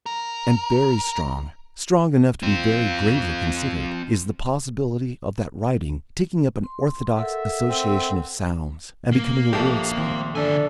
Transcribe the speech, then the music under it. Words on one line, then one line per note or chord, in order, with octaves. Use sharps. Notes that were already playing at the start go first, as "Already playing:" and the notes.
And very strong--strong enough to be very gravely considered--is the possibility of that writing taking up an orthodox association of sounds, and becoming a world speech.
A#4
C4 F4
C6
A4 A#4 E5 F#5
C4
A#3
A#1 G4 A4
D#2 C4
D3 D4 A4 G#5